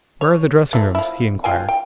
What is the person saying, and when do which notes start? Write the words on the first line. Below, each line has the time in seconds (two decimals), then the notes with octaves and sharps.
"Where are the dressing rooms?" he inquired.
0.21 C#5
0.73 E3 A3
0.95 F3 E4
1.44 F4 G5 G#5
1.69 G5